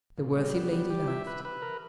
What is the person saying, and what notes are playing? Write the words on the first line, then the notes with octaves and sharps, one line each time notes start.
The worthy lady laughed.
A#2
G3
B3
G3
G4
E5
B4
B4
A#4